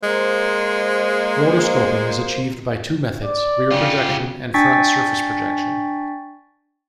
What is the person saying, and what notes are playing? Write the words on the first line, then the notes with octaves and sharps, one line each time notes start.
Rotoscoping is achieved by two methods, rear projection and front surface projection.
G#3 A#3 C5
D5
C#3 F4 G4
D4 G5 G#5 C#6 A6 B6